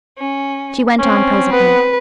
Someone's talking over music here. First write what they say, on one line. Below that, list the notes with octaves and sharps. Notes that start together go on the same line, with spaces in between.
She went on presently.
C#4
C4 C#4
B3 B4